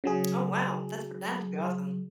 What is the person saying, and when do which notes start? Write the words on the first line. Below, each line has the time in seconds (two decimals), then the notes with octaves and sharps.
Oh, wow. That's for that's really awesome.
0.04 C#3 F#3 G#4